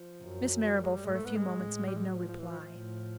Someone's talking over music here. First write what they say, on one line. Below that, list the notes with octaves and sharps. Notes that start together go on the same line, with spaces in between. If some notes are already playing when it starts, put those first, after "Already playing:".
Miss Marrable for a few moments made no reply.
Already playing: F3
F#2
F#3
G3
G#3
G3
G#2 G#3
A3
B3
G#3
A2
G3
G#3
F#3
F3
F3
E3
F3
F3
A2